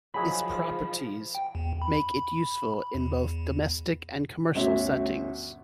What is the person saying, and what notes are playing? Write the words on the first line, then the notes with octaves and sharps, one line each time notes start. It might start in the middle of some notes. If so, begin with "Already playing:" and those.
Its properties make it useful in both domestic and commercial settings.
D#3 F3 F#3 G#4 D#5 B5
G5
E2
B5
E2
G1 D2 C#4 F#4 E5